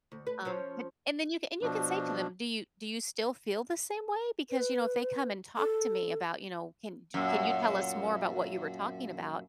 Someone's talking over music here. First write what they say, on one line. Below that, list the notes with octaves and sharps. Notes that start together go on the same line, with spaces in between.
Um, but and then you and you say to them, "Do you do you still feel the same way? Because you know, if they come and talk to me about" you know, "'Can y can you tell us more about what you were talking about?'
D2
B4
F3 C#4 C5
B2 F3 D4
B4
A4
F#2 A#2